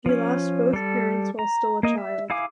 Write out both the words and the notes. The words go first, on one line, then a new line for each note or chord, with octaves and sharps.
He lost both parents while still a child.
F3 C#4
G3 A4
A#5
A#3 D#5
E5
E4 G#4 F5 G#5 D6